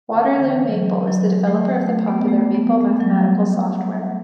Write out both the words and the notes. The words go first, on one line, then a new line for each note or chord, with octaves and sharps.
Waterloo Maple is the developer of the popular Maple mathematical software.
D3
E3
F#3
F#3
A3
A3
A3
B3
A3
B3
A3
F#3
G3